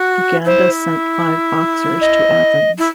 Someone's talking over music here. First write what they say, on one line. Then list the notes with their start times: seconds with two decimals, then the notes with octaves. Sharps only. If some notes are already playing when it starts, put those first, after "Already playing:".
Uganda sent five boxers to Athens.
Already playing: F#4
0.45 E4 C5
2.01 D#5
2.79 E4